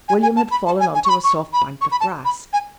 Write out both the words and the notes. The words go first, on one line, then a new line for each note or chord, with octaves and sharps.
William had fallen on to a soft bank of grass.
G#5
G#5
A5
B5
A5
G#5
G#5
C#6
B5
C#6
B5
C#6
B5
A5
B5
G#5